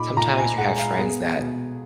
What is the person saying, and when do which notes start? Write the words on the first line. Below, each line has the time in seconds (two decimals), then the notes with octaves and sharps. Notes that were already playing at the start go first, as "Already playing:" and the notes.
sometimes you have friends that
Already playing: A#2 D#4 B5 D6
0.17 A#2 A#5
0.38 G#5
0.58 G#3 F#5
0.78 F5
0.98 B3 G#4
1.39 B2